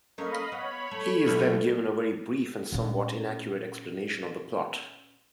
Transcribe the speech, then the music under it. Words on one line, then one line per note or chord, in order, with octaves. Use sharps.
He is then given a very brief and somewhat inaccurate explanation of the plot.
A3 A#3 C#4 D#5 F5 B5
B3 C#5 B5
A3
B1
A#2 C#4